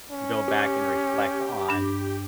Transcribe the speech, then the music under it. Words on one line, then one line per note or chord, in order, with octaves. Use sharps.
go back and reflect on,
C#4
G4
G2 D4